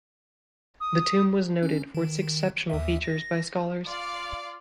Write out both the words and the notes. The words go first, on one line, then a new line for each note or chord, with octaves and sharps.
The tomb was noted for its exceptional features by scholars.
D#6
C#4
D#3
D#2 E5
A#6
F4 D5 F5 D6